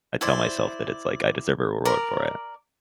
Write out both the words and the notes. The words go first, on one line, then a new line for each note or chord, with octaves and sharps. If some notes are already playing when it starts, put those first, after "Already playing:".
I tell myself that it's like, "I deserve a reward for it."
E4 C5 D5
A#4 D5